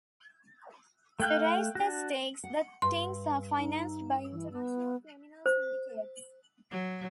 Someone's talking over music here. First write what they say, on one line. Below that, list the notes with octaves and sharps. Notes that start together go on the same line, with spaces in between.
To raise the stakes, the Tings are financed by international criminal syndicates.
A3 F5 G5 F#6 G6
D4 F#4
F#5
G2 C6
D#4
E3
B3
C5
F#3